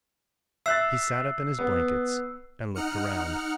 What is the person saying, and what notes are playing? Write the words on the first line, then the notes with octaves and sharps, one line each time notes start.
He sat up in his blankets and looked around.
E5 E6 F#6 A6 C7
B3
D#4 F#5 F6 C#7